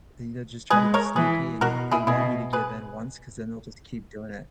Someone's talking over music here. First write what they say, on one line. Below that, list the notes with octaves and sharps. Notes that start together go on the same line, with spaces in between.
and they'd just try to be sneaky and they want you to give in once 'cause then they'll just keep doing it.
G#3 G#4 B4
A#4 C#5
E3 G#4 B4
B2 F#4 A#4
E4 G#4
B2 E4 G#4
G#4 B4